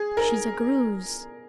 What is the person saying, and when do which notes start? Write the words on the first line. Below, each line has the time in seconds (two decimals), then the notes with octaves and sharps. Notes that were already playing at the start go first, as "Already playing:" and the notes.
She's a Greuze.
Already playing: G#4
0.17 A#4